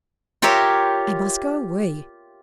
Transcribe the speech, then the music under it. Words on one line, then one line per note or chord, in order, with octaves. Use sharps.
I must go away.
F4 G4 A#4 C#5 E5